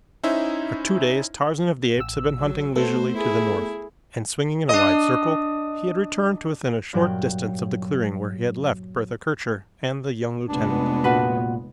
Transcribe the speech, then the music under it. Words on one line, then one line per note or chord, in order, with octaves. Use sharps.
For two days Tarzan of the Apes had been hunting leisurely to the north, and swinging in a wide circle, he had returned to within a short distance of the clearing where he had left Bertha Kircher and the young lieutenant.
C#4 D#4 E4 C5 E5
A1 E6
F#3
A3 B3 F#4 A4 C5
E4 G#4
D4 D#5
G2 A#2 F#3 G5 F#6
F1 G#3 B3 D4
A#2 F4 F#4 B4